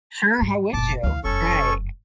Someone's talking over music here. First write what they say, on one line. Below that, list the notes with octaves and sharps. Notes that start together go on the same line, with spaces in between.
Sure, how would you? Right.
G#2
F1 A#2 A5 D6
D2 E3 F5
F1 F#2 C#4 A4 C#6